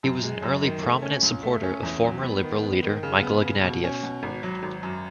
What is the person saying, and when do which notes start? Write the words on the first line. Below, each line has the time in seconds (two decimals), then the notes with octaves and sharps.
He was an early prominent supporter of former Liberal leader Michael Ignatieff.
0.03 F#2
0.23 G#3
0.43 F#2
0.63 D#3
0.83 A3
1.02 C#4
1.22 C#2
1.43 A3
1.63 C#4
1.83 E2
2.04 F#3
2.23 B3
2.43 D#3
2.63 B3
2.83 D#3
3.03 C#3
3.22 B3
3.43 C#3
3.64 B2
3.84 C#4
4.03 B2
4.23 G#1
4.43 F#3
4.63 G#1
4.83 F#2